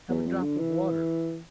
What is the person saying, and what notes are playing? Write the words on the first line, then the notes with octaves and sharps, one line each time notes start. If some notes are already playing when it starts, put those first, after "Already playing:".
Have a drop of water!
E2
F2
D3
E3